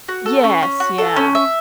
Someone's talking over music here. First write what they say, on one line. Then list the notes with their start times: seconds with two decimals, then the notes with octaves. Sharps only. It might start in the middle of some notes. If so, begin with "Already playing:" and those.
Yes, yeah.
0.08 F#4
0.26 A4
0.44 C#4
0.63 C#4
0.80 F#4
0.98 A4
1.16 C#4
1.35 E5